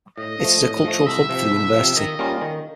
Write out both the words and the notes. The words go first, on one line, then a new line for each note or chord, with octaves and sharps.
It is a cultural hub for the university.
A2 D#5
F3 A3
A2
F3 A3
C2 E5
C3 F3
C2
C3 F3
D#3 D#5
G3 A#3 C#4 F4
D#3